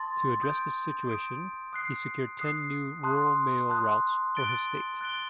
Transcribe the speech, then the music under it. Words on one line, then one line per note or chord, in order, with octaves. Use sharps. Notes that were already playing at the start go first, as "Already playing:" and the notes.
To address this situation he secured ten new rural mail routes for his state.
Already playing: A5 C6 D#6 A6
D#6 G6 D7
D#6 G6 D7
D#6 F#6 C7
D#6 F#6 C7
A5 C6 D#6 F#6
A5 C6 D#6 F#6
F#6 A6 D7 G7
F#6 A6 D7 G7